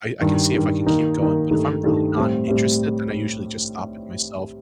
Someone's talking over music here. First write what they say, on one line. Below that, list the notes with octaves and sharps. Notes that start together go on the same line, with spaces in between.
I I can see if I can keep going, but if I'm really not interested, then I usually just stop it myself,
G2 D#3 G3
G2 D#3 G3
D#3 A#3 D#4
D#3 A#3 D#4
G2 D#3 A3 D#4
G2 D#3 A3 D#4
A2 G3 C4
A2 G3 C4